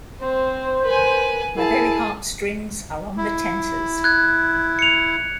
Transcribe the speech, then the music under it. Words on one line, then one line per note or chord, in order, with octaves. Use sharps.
My very heart-strings Are on the tenters.
C4 C5
A#4 B4 G#5
E4 G#4 A#4 A5
E4
F#6 G#6
C#7 F7